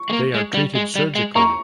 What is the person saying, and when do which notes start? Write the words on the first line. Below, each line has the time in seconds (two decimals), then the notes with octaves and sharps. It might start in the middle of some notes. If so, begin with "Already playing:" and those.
They are treated surgically.
Already playing: C#6
0.10 G#3
0.13 A#3
0.34 G#3
0.54 G3
0.75 G#3
0.96 G3
1.15 G#3
1.35 A#3 A#5 C#6